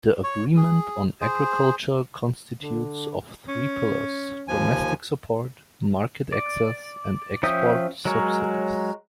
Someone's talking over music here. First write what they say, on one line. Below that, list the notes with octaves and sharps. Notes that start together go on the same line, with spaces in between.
The Agreement on Agriculture constitutes of three pillars-domestic support, market access, and export subsidies.
C#5 C#6
G#4
G#4 C5
D3
C#4
D#2 F3 G#5
D5
F3 C#4 E5 G5 D#6
F#3 G#3 A#4 C#5